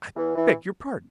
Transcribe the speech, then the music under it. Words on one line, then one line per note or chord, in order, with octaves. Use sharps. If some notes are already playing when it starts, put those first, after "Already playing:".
I beg your pardon.
E2 E3
E3